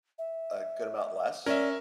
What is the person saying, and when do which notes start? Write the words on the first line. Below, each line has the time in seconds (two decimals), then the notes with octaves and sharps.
a good amount less
0.18 E5
1.46 C#4 A#4 D5 E5